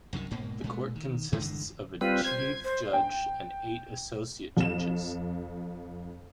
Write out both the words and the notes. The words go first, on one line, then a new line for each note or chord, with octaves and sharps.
The court consists of a chief judge and eight associate judges.
C2 F#2 C3 D#3
G1 G#2 B2 A#3
A#2 G#3 A3
D#3
G2 D3 E3 G#3
G3 C4 F4 B4
C5 G#6
C5
G5
F2 E7